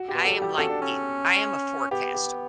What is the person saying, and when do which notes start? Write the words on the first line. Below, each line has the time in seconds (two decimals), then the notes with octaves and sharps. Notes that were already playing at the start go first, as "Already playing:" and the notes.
I am like you, I am a forecaster.
Already playing: F#4
0.08 G4
0.14 B2
0.25 F#3 F#4 A4
0.36 G3
0.42 G4
0.58 C#4 F#4 A4
0.69 D4
0.82 C#4
1.91 B3 G4
2.14 G4